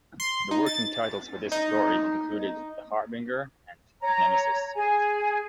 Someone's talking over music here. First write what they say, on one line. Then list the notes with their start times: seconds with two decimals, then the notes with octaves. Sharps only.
The working titles for this story included "The Harbinger" and "Nemesis".
0.20 C6
0.51 D#4
0.66 A6
1.52 D#4
4.01 C#5 A#5
4.75 G#4 G#5